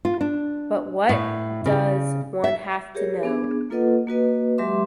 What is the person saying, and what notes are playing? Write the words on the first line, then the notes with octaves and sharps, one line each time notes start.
But what does one have to know?
F4
D4
A2
C#3
E5
G4 G#4 A#4 C#5
B3 C#4 D4 G#4
A#3 F4 A4 B4 D#5 F#5
A#3 F#4 B4 D#5
F#3 G#3 G4 E5 C6 D6